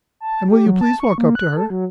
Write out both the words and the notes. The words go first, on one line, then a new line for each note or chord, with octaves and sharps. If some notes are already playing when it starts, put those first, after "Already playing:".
"And will you please walk up to her?"
A5
G4
F#3
A5
C#6
A#3
F#6
A4
F#3